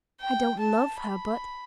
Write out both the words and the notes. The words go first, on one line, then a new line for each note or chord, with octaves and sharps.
I don't love her, but...
G5
A5
B5